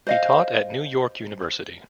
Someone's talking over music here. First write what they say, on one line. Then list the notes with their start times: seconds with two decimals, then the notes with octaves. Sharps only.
He taught at New York University.
0.07 C5 D#5 F5